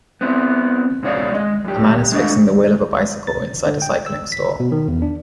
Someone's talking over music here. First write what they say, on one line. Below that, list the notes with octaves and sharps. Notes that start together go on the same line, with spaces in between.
A man is fixing the wheel of a bicycle inside a cycling store.
B3 C4 E4
G#2 B2 D#4 C#5 D5 F5
G#3 D#5
F#2 G4
G#3 A3 D4 D#5
A6
D3
G5
E6
B6
B2
D#3
E2
D4